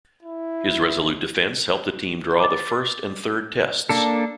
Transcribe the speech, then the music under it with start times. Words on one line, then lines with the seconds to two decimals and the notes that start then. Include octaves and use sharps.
His resolute defence helped the team draw the First and Third Tests.
0.23 E4
2.40 D6 A6
3.89 A#3 D4 A4